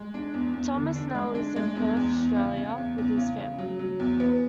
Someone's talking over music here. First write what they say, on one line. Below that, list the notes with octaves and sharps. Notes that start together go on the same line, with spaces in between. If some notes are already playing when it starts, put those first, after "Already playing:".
Thomas now lives in Perth, Australia with his family.
Already playing: G#3
D4
E2
E2
D3
D4
G#3
D4
G#3
E2
E2
E2
C#3
C#3
E2
E2
C#3
C#3
F#3
F#3
E2
B3